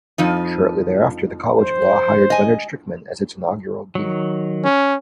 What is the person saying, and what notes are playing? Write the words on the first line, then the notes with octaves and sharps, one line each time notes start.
Shortly thereafter, the College of Law hired Leonard Strickman as its inaugural Dean.
F2 F3 D#4
C5
D#5 G#5
D#3 F#3
C#4